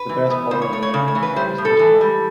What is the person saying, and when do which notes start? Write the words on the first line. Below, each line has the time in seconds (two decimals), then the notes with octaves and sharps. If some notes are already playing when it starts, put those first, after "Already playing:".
The best butter is made when the tide has just turned.
Already playing: B4
0.09 E3
0.30 B3
0.51 C#3 C5
0.62 C#5
0.72 A3 C#5
0.82 C#5
0.94 C#3 D5
1.08 C#5
1.15 E3
1.23 B4
1.36 G3 C5
1.58 A2
1.65 A4
1.79 E3
2.01 G3